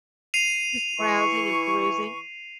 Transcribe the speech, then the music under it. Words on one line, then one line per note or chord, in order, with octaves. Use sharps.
Just browsing and perusing.
C7 D#7 F7
E3 E4 C#6